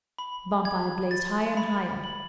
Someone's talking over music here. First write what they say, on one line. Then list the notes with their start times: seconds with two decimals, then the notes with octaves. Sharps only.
The bonfire blazed higher and higher.
0.19 B5
0.65 G#6
1.11 A6
1.57 B5
2.04 F#7